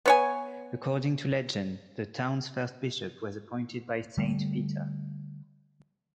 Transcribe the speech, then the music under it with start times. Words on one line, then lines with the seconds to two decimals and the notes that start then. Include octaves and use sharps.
According to legend, the town's first bishop was appointed by Saint Peter.
0.06 B3 C#5 G#5
4.18 D3 G3 A3